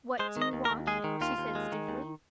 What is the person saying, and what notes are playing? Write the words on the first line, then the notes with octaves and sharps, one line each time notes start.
"What do you want?" she said stiffly.
G#3 C5
D#3 D#5
D#2
A#4
D#2
G#3 G#4
D#3
D#2 F4
D#2
G#3
D#3
D#2